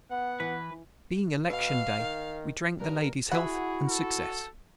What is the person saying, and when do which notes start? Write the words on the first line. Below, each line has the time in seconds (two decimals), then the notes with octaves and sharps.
Being election day we drank the Ladies health and success.
0.11 B3 F#5
0.40 E3 B4
1.50 B2 F5
1.99 D#3
2.80 G2 A#4
3.32 E4 F#4 G#4 E5 F#5
3.89 A4